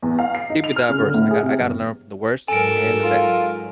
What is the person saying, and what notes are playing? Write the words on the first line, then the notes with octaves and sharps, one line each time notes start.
Keep it diverse, I got I gotta learn from the worst and the best,
E2
F5
C7
D#4
F7
F6
C#3
D3
A2
G#4
C3
G1
G#2 F#3 A4 A#4 G#5 D7
F4